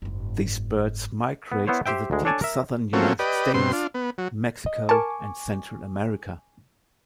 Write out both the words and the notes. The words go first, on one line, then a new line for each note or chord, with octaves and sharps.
These birds migrate to the deep southern United States, Mexico, and Central America.
F#1 G#2
B3
B3 E4 C5 C#5
G4 C5 E5 G5
D2 G#3
D4 A4 C#5 D5 G#5 A5
A#4 E5
F3 F#3 A3 A#3 C4 C#4
G4 B4 D5 D#5
G2 B2 C4 C6
D4 F4
B3
F#3
D#5
A#4 G#5 A5 C#6 D6